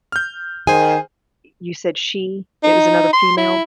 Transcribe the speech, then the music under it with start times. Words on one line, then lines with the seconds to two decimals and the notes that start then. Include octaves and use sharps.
you said she it was another female?
0.12 F6 G6
0.67 D#3 G#4 C5 G#5
2.64 D#4
3.13 C6
3.37 E4